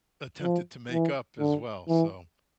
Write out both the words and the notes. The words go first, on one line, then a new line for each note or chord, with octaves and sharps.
attempted to make up as well, so
F3
E3
D3
E3